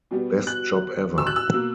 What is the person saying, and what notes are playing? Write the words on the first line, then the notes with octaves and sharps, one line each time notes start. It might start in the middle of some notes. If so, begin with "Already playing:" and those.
Best job ever!
B2 G3 B3
F#6
E6
F#6
E6
B2 A#3